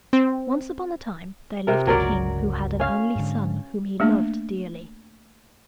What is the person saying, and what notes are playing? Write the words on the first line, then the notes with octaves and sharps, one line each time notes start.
Once upon a time there lived a king who had an only son whom he loved dearly.
C4
C3 A#4
G1 C#2 C#3 F#3 A#4 D5
C#4 F5
G#2 D3
A3 A#3 D4